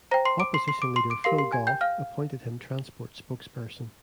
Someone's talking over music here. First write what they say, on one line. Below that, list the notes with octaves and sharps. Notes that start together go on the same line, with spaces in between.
Opposition Leader Phil Goff appointed him Transport Spokesperson.
C5 G5 A#5 A#6
C6 C7
D6 D7
C6 C7
C6 C7
D6 D7
C6 C7
D6 D7
G4 A#4 F5 C6 C7
C6 C7
G#5 G#6
G5 G6
F5 F6